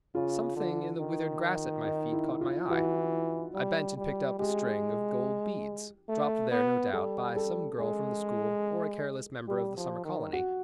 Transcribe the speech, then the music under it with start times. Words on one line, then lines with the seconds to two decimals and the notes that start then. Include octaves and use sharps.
Something in the withered grass at my feet caught my eye. I bent and picked up a string of gold beads, dropped there, no doubt, by some girl from the school or a careless member of the summer colony.
0.15 C#3 F4
0.56 D3
0.99 D#3
1.84 D#4
2.12 E4
2.41 F4
2.70 E3 F#4
3.54 G3
3.97 G3
4.39 G#3 G4
6.09 A3
6.51 B3
6.93 G3 A4
7.36 A4
7.78 G#3 G#4
9.48 G3 G4
9.77 F3
10.04 D#3
10.33 F#4